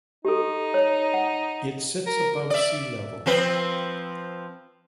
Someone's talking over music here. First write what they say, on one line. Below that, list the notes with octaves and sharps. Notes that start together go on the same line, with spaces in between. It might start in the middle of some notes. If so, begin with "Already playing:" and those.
It sits above sea level.
D#4 G4 A4
C#5
F#5
A#4
D5 E5
F3 C4 B4